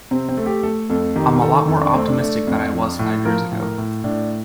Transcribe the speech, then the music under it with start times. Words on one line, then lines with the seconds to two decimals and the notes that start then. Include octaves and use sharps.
I'm a lot more optimistic than I was five years ago.
0.11 C3 C4
0.29 C4
0.37 A3
0.46 G4
0.63 A3 A4
0.90 F2 A4
1.16 D#3 G4
1.42 D#3 A4
1.68 F2 A4
1.81 D4
1.94 A3 C4
2.07 D4
2.21 A3
2.47 F2
2.73 F3
2.99 A2
3.25 F3 A#4
3.51 A2
3.60 A#4
3.78 A2
4.04 A2 D4